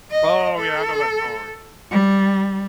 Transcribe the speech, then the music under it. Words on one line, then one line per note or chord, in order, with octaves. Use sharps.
Oh yeah, I know that song,
D#5
A4
G3